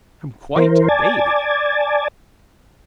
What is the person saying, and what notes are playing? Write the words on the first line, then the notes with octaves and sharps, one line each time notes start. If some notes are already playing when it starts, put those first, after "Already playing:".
I'm quite a baby.
E3 A#4 C5
D5 G#5 A5